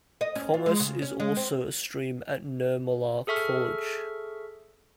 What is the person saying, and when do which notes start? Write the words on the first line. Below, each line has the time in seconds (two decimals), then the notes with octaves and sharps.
Commerce is also a stream at Nirmala College.
0.21 D#5
0.36 C#4
0.54 F4
0.66 G#3
0.80 C#3
1.02 C#4
1.20 G#3
1.37 C4
3.27 G#4 A4 E5 C#6 F6